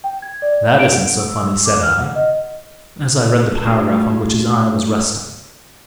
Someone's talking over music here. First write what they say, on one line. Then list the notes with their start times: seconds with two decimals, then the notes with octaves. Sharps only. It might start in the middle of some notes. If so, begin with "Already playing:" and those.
'That isn't so funny,' said I, as I read the paragraph on which his eye was resting.
0.04 G5
0.22 G#6
0.42 D5
0.79 D7
0.92 F#5
1.19 E6
1.65 D6
1.83 F6
1.99 F#5
2.15 D#5
3.65 A3 C#4 D4 F4 F#4 G#4